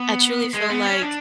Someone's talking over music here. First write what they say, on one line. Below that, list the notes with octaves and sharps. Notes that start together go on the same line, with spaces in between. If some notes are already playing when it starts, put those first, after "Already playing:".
I truly feel like,
Already playing: B3
G#3
B3
C#4
D4